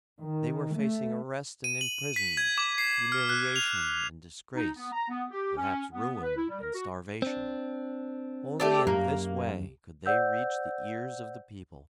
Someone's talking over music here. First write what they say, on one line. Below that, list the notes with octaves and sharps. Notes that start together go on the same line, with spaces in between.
They were facing arrest and imprisonment, humiliation and disgrace--perhaps ruin and starvation. Only in this way could they reach the ears of the people.
D#3
A3
D#7
F#7
B6
G#6
D6
C7
F6
F#6
F7
D#4
B3
A#5
B3
G4
C#4
B3
B4
E4
G3
A#4
F#4
C4 D4
A3 G4 D5
F#2 A#3
C5 D5 F#5 E6 G6